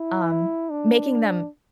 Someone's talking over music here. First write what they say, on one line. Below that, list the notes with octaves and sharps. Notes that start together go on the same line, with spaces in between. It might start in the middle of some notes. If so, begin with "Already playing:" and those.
um, making them
Already playing: E4
D4